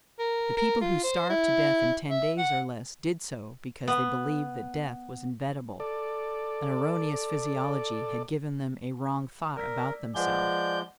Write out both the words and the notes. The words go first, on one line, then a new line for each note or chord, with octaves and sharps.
The people who starved to death in ten days or less did so because they believed that death was inevitable; an erroneous physiology had given them a wrong thought about themselves.
A#4
A#4
F4
C5
E4
E5
F#5
B3
A4 D5
A#4 D5 E6 B6
F3 G#3 B4 D5 F#5 G#5 G6